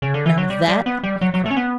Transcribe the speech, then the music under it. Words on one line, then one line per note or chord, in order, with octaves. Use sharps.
"None of that," he cried.
C#3
D3
E3
F#3
G3
G3
B3
G3
F#3
F#3
A3
C#4
B3